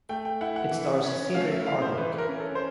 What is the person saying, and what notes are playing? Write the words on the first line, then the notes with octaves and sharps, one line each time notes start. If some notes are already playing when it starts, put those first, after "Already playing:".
It stars Cedric Hardwicke.
A3 G5
G5
E4 F#5
F#5
E3
C#4
A3 F5
E5
E4 F5
C5
E3 B4
A#4
C#4
A4
C5